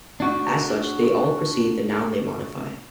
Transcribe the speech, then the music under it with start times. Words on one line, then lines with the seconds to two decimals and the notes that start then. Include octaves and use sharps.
As such, they all precede the noun they modify.
0.20 D4 F#4